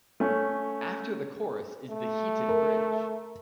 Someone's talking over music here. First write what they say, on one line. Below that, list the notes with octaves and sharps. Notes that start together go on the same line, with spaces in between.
After the chorus is the heated bridge.
A3 C#4
A3
A#4